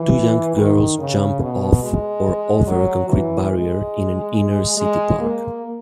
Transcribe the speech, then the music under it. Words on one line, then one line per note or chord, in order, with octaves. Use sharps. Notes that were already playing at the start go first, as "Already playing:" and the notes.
Two young girls jump off or over a concrete barrier in an inner city park.
Already playing: E3
D#3
C#3
B2
G#3
F#3
E3
G#3
G#3
A#3